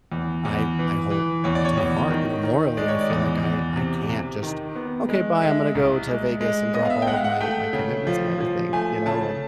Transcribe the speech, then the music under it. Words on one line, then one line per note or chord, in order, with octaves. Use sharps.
I I hold to my heart, you know, morally, I feel like I I can't just, "Okay, bye, I'm gonna go to Vegas and drop all of my my commitments and everything," you know, and
E2
E2
E3
E3
E2 C#5
D5
C#5
E2
D#3
D#3
G#3 D5
C#5
D5
E2
E2
C3
C3
D#3
B3
G#3
G#3 E5
C2
G#3
G#3
B3 D#5
F5
E5
G5
G#3 F#5
F5
F#5
A3 G5
C#3
F3
F3
A3 G#5
C#3 A5